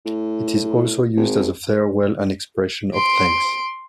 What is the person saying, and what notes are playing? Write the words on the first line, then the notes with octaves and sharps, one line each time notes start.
It is also used as a farewell and expression of thanks.
A2
G#1
C6 D7